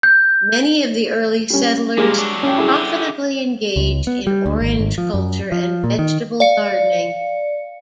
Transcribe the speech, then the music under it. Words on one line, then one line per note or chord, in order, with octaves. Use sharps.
Many of the early settlers profitably engaged in orange culture and vegetable gardening.
G6
G3 C#4
C3 G3 G#3 A#3
F#3 D4
C#4 G5
E4 G#4
D3 G4
C#2
B3
G3
D2
G#1
G#1
F3
F#2
F3
A#2
D#3
D5 F5 C#7